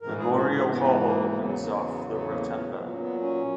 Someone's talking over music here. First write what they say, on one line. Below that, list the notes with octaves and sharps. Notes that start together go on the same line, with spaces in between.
Memorial Hall opens off the Rotunda.
G#2 E3 A#4
G#4
F#4
G#4
G#2 E3 B3
A#3
A#3
E2 C#3 F#3 B3
B3
A#3
B3
E2 C#3 F#3 B3
A#3
B3
A#2 F#3 B3
C#4
B3
C#4